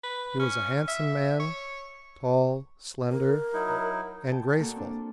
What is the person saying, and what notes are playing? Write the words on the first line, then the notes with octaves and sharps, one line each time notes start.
He was a handsome man, tall, slender, and graceful.
B4
C#4
E5
C#5
A#4
F#3 D#4 E4
G5 A5
A#2 A#3 F#4 A4
C4 D4